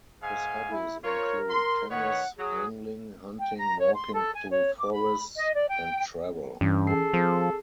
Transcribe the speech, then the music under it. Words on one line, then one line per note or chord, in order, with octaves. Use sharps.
His hobbies include tennis, angling, hunting, walking through forests, and travel.
G#2 F5 G#5
E4
F4 A#4 C5 C#5
C6
D#3 B4 C#5 F#5
F#3 G#4
G5
A#5
C#5
C6
A4
G#5
C#5
D6
B5
D#5
D5
G5
G2 E3 C#4
G#4 A4 C7
F3 C4